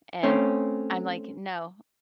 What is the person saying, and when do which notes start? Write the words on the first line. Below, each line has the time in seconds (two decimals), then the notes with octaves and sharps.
And, I'm like, "No.
0.23 A3 C4 C#4